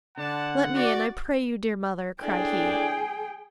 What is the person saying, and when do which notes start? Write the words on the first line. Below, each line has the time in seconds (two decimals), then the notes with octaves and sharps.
'Let me in, I pray you, dear mother,' cried he.
0.18 D3 D5 F#5 A5
0.75 F#4 D5
2.22 A2 D4 G#4 G5